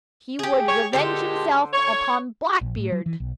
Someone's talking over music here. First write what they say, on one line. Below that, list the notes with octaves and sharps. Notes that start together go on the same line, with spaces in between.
He would revenge himself upon Blackbeard!
G4 G#4
C#5
A#2 D3 G#3 G4 A4 C5
C#5
A#1
A2
F#3
E3
B1